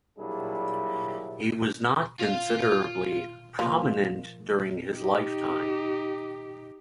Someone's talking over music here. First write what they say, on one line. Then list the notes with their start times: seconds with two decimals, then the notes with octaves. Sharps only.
He was not considerably prominent during his lifetime.
0.18 A#2 F#3 G3 D4 E4 G#4
2.20 F4 F5
3.59 F3 A#3 F4
4.95 D#4 G4